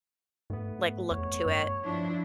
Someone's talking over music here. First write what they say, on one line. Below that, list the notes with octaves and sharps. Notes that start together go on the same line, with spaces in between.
like, look to it,
G#2 A3 B3
F2 C#5
G2
F3 D4 E4